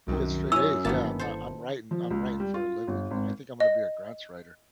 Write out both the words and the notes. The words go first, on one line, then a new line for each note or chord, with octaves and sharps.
I get straight A's. Yeah, I'm not I'm writing I'm writing for a living. I think I'm gonna be a grants writer.
C2 F#2 D#3
C#4 E4 D#5 E6
G1 D#3 A#3 B3 E4 A5
A4 C5
F3
C#2
G3
F4
G1
G#1
D#5